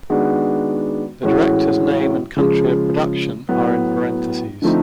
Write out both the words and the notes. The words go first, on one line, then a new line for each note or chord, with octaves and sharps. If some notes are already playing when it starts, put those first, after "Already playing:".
The director's name and country of production are in parentheses.
D#3 G#3 B3 D4 F#4
A2 E3 G#3 C#4 F#4
C#3 F3 G#3
A2 F#3 B3
D3 F3 A3 C4 D#4